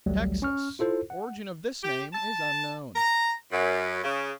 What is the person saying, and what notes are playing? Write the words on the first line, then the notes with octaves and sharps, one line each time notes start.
Texas--Origin of this name is unknown.
A1 D2 F#3 G3 A3
C#4 C#6 F6
E4 F4 A4 C5
F#5
G4
A5
A#5
F#2
C#3